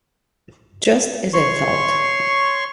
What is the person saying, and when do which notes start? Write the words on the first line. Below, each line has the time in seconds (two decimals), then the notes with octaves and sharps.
Just as I thought.
1.34 C#5 C6 C#6